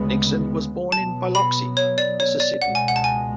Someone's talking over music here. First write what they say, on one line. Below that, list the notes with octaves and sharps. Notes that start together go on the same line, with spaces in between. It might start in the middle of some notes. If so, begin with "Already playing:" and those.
Nixon was born in Biloxi, Mississippi.
Already playing: D2 C#3 G#3 B3
B2 F#3 B3 A5
B5
C#5
D5
C#5
D5
C#2 B2 G#3 F#5
G#5
F#5
A5
G#5